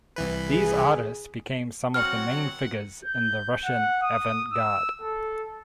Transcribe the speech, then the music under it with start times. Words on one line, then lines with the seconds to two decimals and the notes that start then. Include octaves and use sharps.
These artists became some of the main figures in the Russian avant-garde.
0.16 C2 E3 B4
0.50 G#4
1.94 F#3 C4 F#4 F#5 F6
3.05 G6
3.65 F#5
4.03 D#6
4.53 E6
5.02 A4